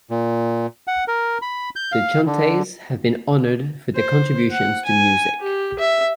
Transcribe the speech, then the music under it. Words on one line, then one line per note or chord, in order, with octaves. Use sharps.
The Chantays have been honored for their contributions to music.
A#2
F#5
A#4
B5
G6
F5
D3
C5
F#5
G#5
G4
E5